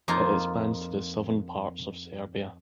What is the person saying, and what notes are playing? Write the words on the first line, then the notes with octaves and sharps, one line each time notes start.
It expands to the southern parts of Serbia.
F2 A#3 D#4 F4 A#5